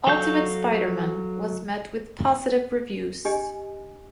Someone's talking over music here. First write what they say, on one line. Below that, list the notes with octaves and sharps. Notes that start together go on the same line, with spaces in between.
"Ultimate Spider-Man" was met with positive reviews.
F#3 A4 F5 C#6 G6
D4 G4 D#5 G#5